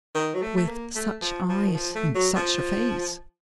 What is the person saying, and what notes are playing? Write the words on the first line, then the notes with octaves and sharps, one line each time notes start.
With such eyes in such a face!
D#3
F#3
A3
A3
A#3
A3
F3
F3
D#3
F3
A3
F#3
F3